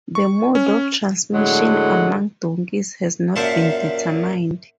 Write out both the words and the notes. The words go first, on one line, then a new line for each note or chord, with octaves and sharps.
The mode of transmission among donkeys has not been determined.
C#6
C#4
A2 D3 F#3 G#3 F#5
F#2 A#2 C5 E5 A5